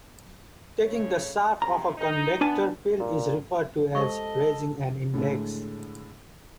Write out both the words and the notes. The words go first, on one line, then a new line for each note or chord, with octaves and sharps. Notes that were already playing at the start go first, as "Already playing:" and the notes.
Taking the sharp of a covector field is referred to as "raising an index".
C#3 A3 C#5
C3 A#5
D#4
B3 D4 G#5 A5
A#2
G#3 G4 A4 C5 D#5 C#6
A2 D3 G#3 A3